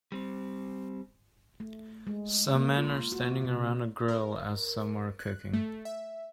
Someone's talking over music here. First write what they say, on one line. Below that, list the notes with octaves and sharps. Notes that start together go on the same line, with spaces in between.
Some men are standing around a grill as some are cooking.
G3 C4
A3
G#3
A#3
F4
F#4
C3
A#4
F#6
A3
E5